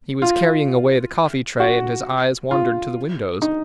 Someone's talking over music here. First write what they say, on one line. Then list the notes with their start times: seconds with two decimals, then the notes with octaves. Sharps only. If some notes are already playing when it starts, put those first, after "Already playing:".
He was carrying away the coffee tray and his eyes wandered to the windows.
0.22 F4
1.60 F#4
2.51 F4
3.42 D#4